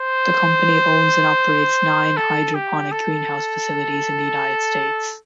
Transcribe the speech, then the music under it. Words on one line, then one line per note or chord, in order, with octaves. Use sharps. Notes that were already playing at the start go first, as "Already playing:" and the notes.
The company owns and operates nine hydroponic greenhouse facilities in the United States.
Already playing: C5
A4
G4
A4